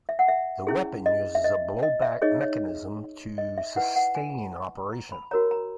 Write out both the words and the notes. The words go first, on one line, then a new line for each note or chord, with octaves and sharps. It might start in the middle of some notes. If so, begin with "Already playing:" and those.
The weapon uses a blowback mechanism to sustain operation.
E5
F#5
E5
C#4 E4 G#4
D#5
E5
D#5
D#5
E5
D#4 G#4 C#5 D#5
C#5
D#5
E5
E4 B4 F#5
F#5
G#5
A#5
B5
F#4 A#4 C#5 A#5
A#5